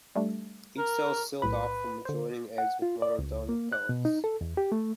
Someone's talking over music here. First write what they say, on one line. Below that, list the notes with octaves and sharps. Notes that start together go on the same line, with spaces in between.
Each cell is sealed off from adjoining eggs with mud or dung pellets.
G3 A3 D4
A#4
B1 A2 B4 B5
D3 C5
F#5
F4
D5
C#2
A#3
F#6
B2
D#4
A4
E2
G4
A3